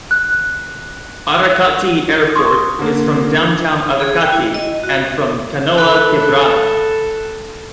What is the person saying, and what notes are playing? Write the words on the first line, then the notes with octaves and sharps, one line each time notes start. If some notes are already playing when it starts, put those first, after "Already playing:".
Aracati Airport is from downtown Aracati and from Canoa Quebrada.
F#6
C6 C#6 D#6 G#6
D3 A#3
G#4
G5
E4
D#5
F#4
A4 B4